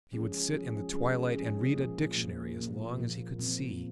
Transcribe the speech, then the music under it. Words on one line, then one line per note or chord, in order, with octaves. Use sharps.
He would sit in the twilight and read a dictionary as long as he could see.
F3 G#3 C#4 G#4
F3 G#3 C#4 G#4
F3 G#3 C#4 G#4
F3 G#3 C#4 G#4
A#2 F3 A#3
A#2 F3 A#3
A#2 F3 A#3
A#2 F3 A#3
A#2 F3 C4